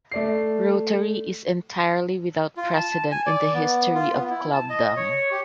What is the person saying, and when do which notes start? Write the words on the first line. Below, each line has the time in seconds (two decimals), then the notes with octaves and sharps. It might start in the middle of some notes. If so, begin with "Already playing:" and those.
Rotary is entirely without precedent in the history of clubdom.
0.12 A3 D5 C7
2.56 F4
2.75 A5
3.12 G#5
3.26 D5
3.54 B3
3.95 F4
4.13 B3
4.30 E4
4.53 A5
4.70 D#5
4.97 C#5
5.31 G4